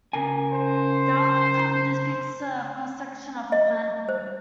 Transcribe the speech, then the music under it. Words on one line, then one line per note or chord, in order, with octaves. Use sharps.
The album cover depicts a cross section of a pineapple.
C#3 A#4 G#5
C5
D#5
C5